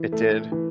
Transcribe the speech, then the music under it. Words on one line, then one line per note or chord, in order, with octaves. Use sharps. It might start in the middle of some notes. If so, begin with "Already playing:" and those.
It did?
Already playing: E3
A3
E3